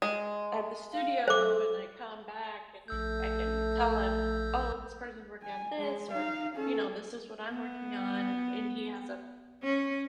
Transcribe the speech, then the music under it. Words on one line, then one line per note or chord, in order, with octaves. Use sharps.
at the studio and I come back and then I can tell him, "Oh, this person's working on this," or, you know, "This is what I'm working on," and and he has an
G#3
F5
A4 C5 D6
A#1 A3 E6 G6
G#5
G#3
D#4 F5
C#4 A4
B3
C#4